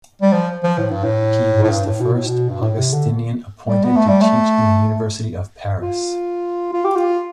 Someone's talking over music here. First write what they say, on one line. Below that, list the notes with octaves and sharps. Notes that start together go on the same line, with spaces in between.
He was the first Augustinian appointed to teach in the University of Paris.
G3
F3
F3
A2
G2
A2
A2
G2
A2
B2
A2
B2
G2
A2
C3
D3
G3
B3
A3
G3
A3
F4
F4
G4
F4